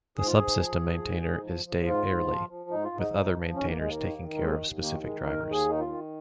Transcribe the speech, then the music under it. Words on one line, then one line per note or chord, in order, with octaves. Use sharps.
The subsystem maintainer is Dave Airlie, with other maintainers taking care of specific drivers.
G#2 G#4
F4
G#2 G#4
F3
F3
G#2
G#2
F3
F3
G#2 F4
G#2
F3
F3
G#2 D#4
F4
G#2
D#4
F3
F3
D#2 C#4
A#3
D#2 G#3
A#3
D#3
D#3
A#3
D#2 G#3
D#2
D#3 A#3
D#3 G#3
D#2 A#4
D#2
G#4
D#3 D#4
F4
D#3